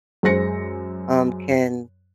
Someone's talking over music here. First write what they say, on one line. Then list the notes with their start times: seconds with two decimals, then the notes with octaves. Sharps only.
um, can
0.23 F#2 G#3 C5 A#6 C#7